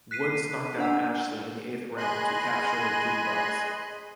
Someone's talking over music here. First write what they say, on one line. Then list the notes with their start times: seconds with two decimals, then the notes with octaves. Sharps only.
Woods knocked out Ashley in the eighth round to capture the three belts.
0.11 F#6 B6 C7 D#7
0.78 D4 F#5 E6
1.97 G#4 D#5 G#5 B5 C6 F#6